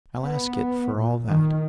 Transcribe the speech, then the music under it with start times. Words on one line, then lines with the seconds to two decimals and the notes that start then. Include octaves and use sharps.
'I'll ask it for all that.
0.23 B3
0.95 A#2
1.29 D#3